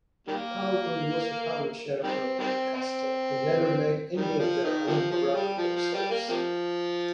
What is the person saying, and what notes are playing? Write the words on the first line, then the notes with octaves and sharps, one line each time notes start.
Carlton was a publisher broadcaster who never made any of their own programming themselves.
D#3 G3 A#3
D#3 G3 C4
D#3 G3 C4
C4
D#3 G3
F3
D#3
C3 F3
F3
G3
F3
F3
G3
A#3
C3 F3